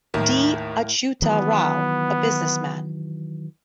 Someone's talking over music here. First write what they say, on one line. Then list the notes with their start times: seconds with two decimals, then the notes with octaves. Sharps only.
D. Achyuta Rao, a businessman.
0.14 D#2 A2 D#3 A#4
1.22 D#3 E3 F#3 B3